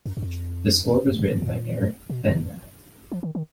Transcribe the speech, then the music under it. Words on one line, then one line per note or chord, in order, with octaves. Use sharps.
The score was written by Eric Fenby.
F#2
F#2
F2
F#2
G#2
G#2
A#2
B2
C#3
F3
D#3
D#3